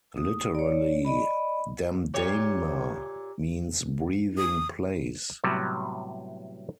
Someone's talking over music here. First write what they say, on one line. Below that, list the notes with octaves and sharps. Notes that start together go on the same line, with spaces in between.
Literally, "Damdama" means "breathing place".
D#6
C#5 D5
D5 D#5 B5
A#2 G4 C#5
D#6
A2 C3 F#3 G3 B3